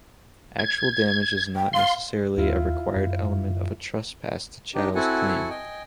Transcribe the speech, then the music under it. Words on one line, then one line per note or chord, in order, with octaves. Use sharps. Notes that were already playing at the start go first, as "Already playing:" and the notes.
Actual damage is not necessarily a required element of a trespass to chattels claim.
G#6
G5
F5 C6
D#2 E4 F4
F#2
D4 D#4 G4
C4 E4 F#4 A4 F#5 G#5
D#5 G5 G#5